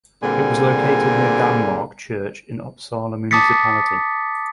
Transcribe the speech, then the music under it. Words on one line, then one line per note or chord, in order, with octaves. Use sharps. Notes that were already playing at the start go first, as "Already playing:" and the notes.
It was located near Danmark Church in Uppsala Municipality.
A#2 D3 G3 C4 G#4
A5 D6 D#6 A6 B6 C#7